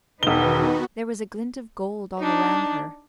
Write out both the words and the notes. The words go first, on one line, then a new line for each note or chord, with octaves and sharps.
There was a glint of gold all around her.
E1 D#3 B3 D#4 F#4 B4 G7
D4 D#4